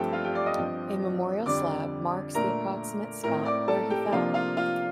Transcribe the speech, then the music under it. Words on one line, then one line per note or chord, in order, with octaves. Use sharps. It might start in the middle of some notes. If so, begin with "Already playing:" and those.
A memorial slab marks the approximate spot where he fell.
Already playing: G2 F3 A3 C4 G4 A4 G5 A5
F4 F5
G4 G5
D5 D6
D#5 D#6
G2 F3 C4
F2 D3 G3 D5 D6
A#2 A3 D4 A#4 A#5
A2 A3 C4 A#4 A#5
D5 D6
A4 A5
G4 G5
C3 F3 A#3 D4 F4 F5
F4 F5
F4 F5